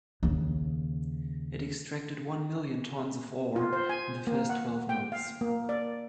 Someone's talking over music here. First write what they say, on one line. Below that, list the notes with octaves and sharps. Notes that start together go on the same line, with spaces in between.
It extracted one million tonnes of ore in the first twelve months.
D#2 C#3
F4
C5
G#5
A#3
F#5
G5
F5
A#3
D5